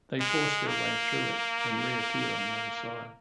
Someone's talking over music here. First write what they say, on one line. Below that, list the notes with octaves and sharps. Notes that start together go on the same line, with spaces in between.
They force their way through it and reappear on the other side.
G#3
A#3